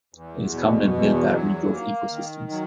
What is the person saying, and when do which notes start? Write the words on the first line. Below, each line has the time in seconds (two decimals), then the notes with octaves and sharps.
It is common in milpa regrowth ecosystems.
0.14 E2
0.53 B2
0.93 E2
1.32 F#3
1.73 A#3
2.11 D#3
2.51 F#3